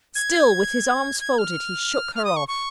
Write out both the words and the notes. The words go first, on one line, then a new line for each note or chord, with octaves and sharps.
Still, with his arms folded, he shook her off.
G#6
G#6
F6
F6
D#6
C#6
C#6